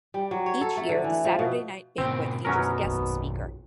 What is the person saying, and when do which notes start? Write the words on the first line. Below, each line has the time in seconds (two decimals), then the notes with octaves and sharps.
Each year, the Saturday night banquet features a guest speaker.
0.14 G3
0.31 F#3
0.46 C#5
0.61 A4
0.77 A3
0.89 D3
1.04 E3
1.25 F3
1.39 B2
1.98 G#2 B2 D3 C4 G5
2.45 B1 F#2 B2 F#3 C#4 A#4
2.82 A#1 D#2 F3